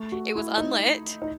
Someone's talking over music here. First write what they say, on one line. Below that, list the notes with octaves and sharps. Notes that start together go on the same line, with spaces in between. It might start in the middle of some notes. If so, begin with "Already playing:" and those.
it was unlit,
Already playing: A3
F#4
E4
D#4
D#4